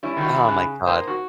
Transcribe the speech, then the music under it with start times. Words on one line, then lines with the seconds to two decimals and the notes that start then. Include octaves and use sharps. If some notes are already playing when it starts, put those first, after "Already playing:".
oh, my god.
0.03 G3 C#4 E4
0.17 D#3 F#4
0.46 C#3 F#6
0.87 A#3 C5 D#6
1.08 F#4